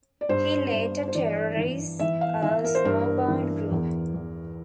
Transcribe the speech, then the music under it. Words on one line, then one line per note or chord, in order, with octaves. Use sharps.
He later terrorizes a snowbound group.
D5
G2 C5
G2
C5
E3 D5
E3
E3 E5
F5
E3 E5
A#4
C5
G2 A#4
E3
E2
E2